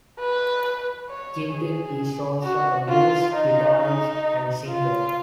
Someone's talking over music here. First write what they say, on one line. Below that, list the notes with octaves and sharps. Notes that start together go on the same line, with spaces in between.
Gindick is also a blues guitarist and singer.
B4
C#5
G#4
F#4
F4
D#4
D#4
F4